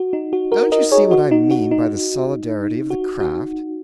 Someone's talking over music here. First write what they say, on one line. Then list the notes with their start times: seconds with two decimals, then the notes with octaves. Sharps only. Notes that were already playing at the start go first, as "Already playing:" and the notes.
Don't you see what I mean by the solidarity of the craft?
Already playing: F#4
0.13 D#4
0.33 F#4
0.52 F#4 A#4
0.72 A#4 D#5
0.92 G#4 C#5
1.11 F#4
1.31 D#4
1.51 F#4
1.71 D#4
2.90 F#4
3.20 F#4